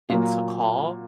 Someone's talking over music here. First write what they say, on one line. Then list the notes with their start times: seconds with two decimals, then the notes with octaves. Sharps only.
it's a call,
0.09 A#2 F#3 A#3